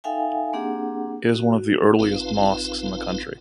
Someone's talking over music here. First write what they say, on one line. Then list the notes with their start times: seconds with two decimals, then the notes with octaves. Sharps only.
It is one of the earliest mosques in the country.
0.04 D#4 A4 E5 F5 G5 G#5
0.53 A#3 C4 D4 G4 G#4 F#5
1.29 F#4
1.99 A1 C4 D#4 F4 B4 F5